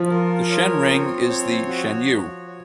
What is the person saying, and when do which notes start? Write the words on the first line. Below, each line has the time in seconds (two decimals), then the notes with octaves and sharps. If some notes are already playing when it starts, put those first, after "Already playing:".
The Shen ring is the 'shenu'.
Already playing: F3 F4
0.10 A#4
0.50 C#5
0.90 C4
1.29 C#5
1.68 F#4
2.07 C#5
2.48 C#5